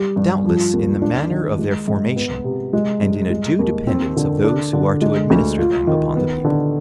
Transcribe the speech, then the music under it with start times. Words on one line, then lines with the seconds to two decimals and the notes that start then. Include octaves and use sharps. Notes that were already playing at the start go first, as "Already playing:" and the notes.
Doubtless in the manner of their formation, and in a due dependence of those who are to administer them upon the people.
Already playing: G3
0.16 G2
0.45 F3
0.73 D#2
1.02 D4
1.30 D#3
1.59 G#3
1.88 G#2
2.16 B3
2.44 C3
2.73 G#3
3.02 G2
3.30 G#3
3.59 D#2
3.87 C4
4.16 D3
4.44 D4
4.73 D3
5.02 G#3
5.30 D2
5.58 F4
5.87 D#3
6.16 B3
6.44 D3